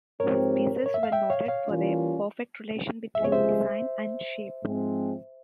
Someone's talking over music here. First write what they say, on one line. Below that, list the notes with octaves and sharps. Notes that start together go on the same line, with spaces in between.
His pieces were noted for their perfect relation between design and shape.
G#2 F3 C4 G4 A#4 C#5
C#5
E5
F5
E5 G5
C#5 F5
C#5 F5
E3 G3 A#3 C#4 F4
C#2 C3 F3 G#3 E5
C#5
C5 E5
G#2 F3 G#3 C4